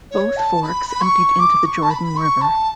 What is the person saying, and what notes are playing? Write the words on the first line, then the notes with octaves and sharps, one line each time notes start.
Both forks emptied into the Jordan River.
C#5
A5
B5
B5
C#6
D6
C#6
A5
B5
C#6
A5